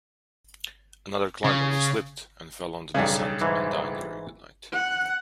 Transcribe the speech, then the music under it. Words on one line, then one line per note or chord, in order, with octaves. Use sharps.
Another climber was slipped and fell on the descent and died during the night.
C#3
B1 G2 C#3
G#2 E3
F#5